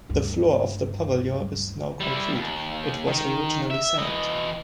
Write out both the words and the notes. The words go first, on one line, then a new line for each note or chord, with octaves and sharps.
The floor of the pavilion is now concrete; it was originally sand.
D2 G2
G3 E4
D#2
D#3
E5
E3 D#5